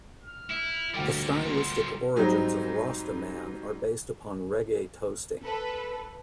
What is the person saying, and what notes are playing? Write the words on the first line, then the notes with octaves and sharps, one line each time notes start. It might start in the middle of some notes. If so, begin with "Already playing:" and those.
The stylistic origins of "Rosta Man" are based upon reggae toasting.
F6
E4
D2 A#2 G3 G5 D6
C6
G#2 F#3 G3 C4 D#4
A4 B4